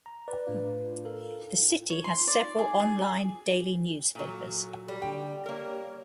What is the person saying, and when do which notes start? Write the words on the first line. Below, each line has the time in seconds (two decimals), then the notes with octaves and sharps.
The city has several online daily newspapers.
0.06 A#5
0.28 B4 D5
0.47 A2 D4 F4
1.05 A4 A#4 F5
1.90 C#5
2.04 C6
2.27 D5
2.59 G#4
2.80 G#4
4.15 A#2 F#3 A4
4.88 G3
5.02 D3 G5
5.46 A#3 A#4 C#5